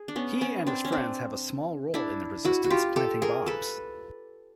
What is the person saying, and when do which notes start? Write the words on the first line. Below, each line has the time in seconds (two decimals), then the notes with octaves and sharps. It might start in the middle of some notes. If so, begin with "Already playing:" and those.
He and his friends have a small role in the Resistance planting bombs.
Already playing: G#4
0.08 D4
0.16 B3 C#4
0.41 B3 C#4
0.67 C4 D4
0.85 C#4
0.92 C4 D4
1.94 D4 E4
2.45 E4 F#4
2.64 F#4
2.70 F4 G4
2.96 G4 A4
3.22 G#4 A#4
3.46 A4 B4